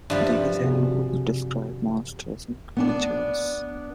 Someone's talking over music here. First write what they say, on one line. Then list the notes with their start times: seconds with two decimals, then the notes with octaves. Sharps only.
These handbooks describe monsters and creatures.
0.10 G2 F3 G3 D5 E5
0.62 C3 F#4 G#4
2.77 B3 D4 D5